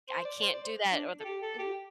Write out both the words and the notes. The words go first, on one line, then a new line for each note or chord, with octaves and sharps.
I I can't do that, or the mhm.
C5
D5
C5
D5
C5
D4
A4
G4
A4
G4